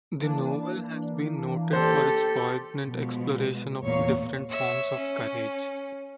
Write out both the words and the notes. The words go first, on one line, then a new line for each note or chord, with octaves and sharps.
The novel has been noted for its poignant exploration of different forms of courage.
E3 A#3 D4
G4 A4 C5
B2 F3 G#3
E2 A#2 A#3 C#5 F5
C#5 E5
C#4